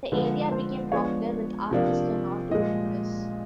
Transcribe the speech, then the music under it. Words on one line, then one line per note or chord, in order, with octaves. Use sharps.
The area became popular with artists and entrepreneurs.
D3 F3 G#3 B4
C5
F3 G#3 B3 D4 C#5
C3 F3 A#3 D4
A#2 F3 G#3 D#5